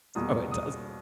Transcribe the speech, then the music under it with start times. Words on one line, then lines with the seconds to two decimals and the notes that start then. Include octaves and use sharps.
so it does.
0.15 E2 B2 G3 A#3 D#6
0.51 D#6